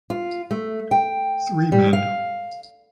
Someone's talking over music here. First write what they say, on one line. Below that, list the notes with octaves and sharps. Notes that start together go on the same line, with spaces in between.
Three men.
F4
A3
G5
G3
F5